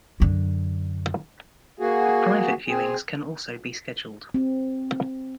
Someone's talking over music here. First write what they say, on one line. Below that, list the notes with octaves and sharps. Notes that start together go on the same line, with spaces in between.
Private viewings can also be scheduled.
F#2 D3
A#3 F#4 G#4
C4 G#4
C4